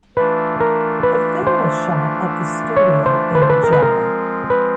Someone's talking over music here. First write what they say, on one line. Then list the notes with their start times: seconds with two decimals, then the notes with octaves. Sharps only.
The film was shot at the studio in Jar.
0.16 E3 A3 D4 F4 B4
0.60 A#4
1.03 B4
1.47 C5
2.77 C#5
3.06 C5
3.35 B4
3.42 C5
3.50 B4
3.63 F3 G#3 C4 F4 A#4
3.73 B4
3.83 A#4
4.50 B4